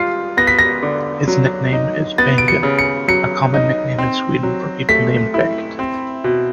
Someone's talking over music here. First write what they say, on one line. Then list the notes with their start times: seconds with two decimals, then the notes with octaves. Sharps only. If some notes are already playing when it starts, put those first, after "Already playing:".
His nickname is "Bengan", a common nickname in Sweden for people named Bengt.
Already playing: G3 F4 C7
0.37 B3 A#6
0.47 B6
0.59 A#6
0.83 D3
1.28 F#3
1.73 D#4
2.18 B3 A6
2.38 D7
2.48 C#7
2.63 C#3
2.79 C#7
3.08 F#3 C#7
3.54 D#4
3.98 C4
4.43 F#3
4.89 A3 B6
5.34 E4
5.79 C4
6.24 B2